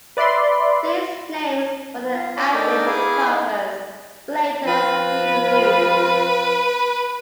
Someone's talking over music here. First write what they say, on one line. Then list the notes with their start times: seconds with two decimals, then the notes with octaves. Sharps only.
These names were then added to the covers for later re-releases.
0.17 B4 D5 E5 B5 C6
2.14 F4
2.37 C#4 D4 D5 F5
2.53 A3 D4 D#4 A#4 D5 G5
2.86 B3 E4 G#4 F5 G#5 D6
3.27 D#4
4.67 F3 C4 F4 B4